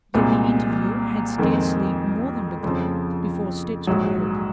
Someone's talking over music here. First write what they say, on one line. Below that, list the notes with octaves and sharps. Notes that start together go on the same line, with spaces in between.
Yet the interview had scarcely more than begun before steps were heard.
C2 A#2 G#3 C4
F2 D#3 G#3 C4
F2 C#3 F3 C4
A#1 G#2 F#3